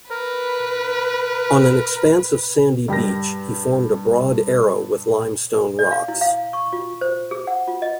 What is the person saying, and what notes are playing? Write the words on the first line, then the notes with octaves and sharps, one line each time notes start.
On an expanse of sandy beach he formed a broad arrow with limestone rocks.
A#4 B4
G2 G4 A#4 A#6
D5
F5
E4
F5
C#6
F4
C5
G#4
F#5
F4
D#5